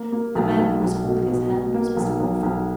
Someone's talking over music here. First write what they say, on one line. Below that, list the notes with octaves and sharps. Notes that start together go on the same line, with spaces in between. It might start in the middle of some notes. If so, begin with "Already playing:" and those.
The man who was holding his hand was Mr. Morpher.
Already playing: A#3
A#3
B1
B1
B1
B2
B2
B2
A#3
B1
B1
B1